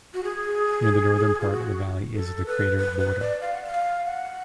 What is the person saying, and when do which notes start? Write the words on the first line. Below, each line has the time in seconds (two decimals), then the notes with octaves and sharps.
Near the northern part of the valley is the crater Borda.
0.14 F#4
0.24 G#4
1.41 F4
1.51 F#4
2.15 A4
2.47 B4
2.78 B4
2.99 B4
3.21 D5
3.41 F5
3.53 F#5
3.65 F5
4.05 F#5